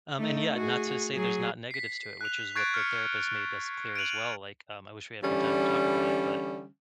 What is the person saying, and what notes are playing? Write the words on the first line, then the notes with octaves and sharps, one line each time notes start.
Um, and, yeah, not to say there's not negatives to it, which is what the therapist made us clear, as well, like, um, I wish we had more time to talk about it, but,
A3 D#4
F#4 G#4
F#3 G#4
B6 C7
F#6 F7
C#6 F#6 G#6 A6 C7 D7
F6 C#7
D7 D#7 F7 F#7
D3 E3 G3 C#4